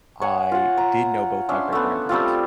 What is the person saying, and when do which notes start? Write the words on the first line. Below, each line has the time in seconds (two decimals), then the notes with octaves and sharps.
I did know both my great-grandparents,
0.22 C#5 F#5 G#5
0.52 F4 F#5
0.77 A#5
1.49 C#4 D4 E5 C6
1.72 A3 B3
2.09 G3 A3 C4 F4